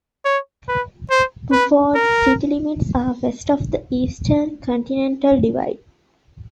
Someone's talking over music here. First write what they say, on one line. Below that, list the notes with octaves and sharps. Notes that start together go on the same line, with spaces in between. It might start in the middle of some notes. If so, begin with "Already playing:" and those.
Buford's city limits are west of the Eastern Continental Divide.
C#5
B4
C5
B4
A#4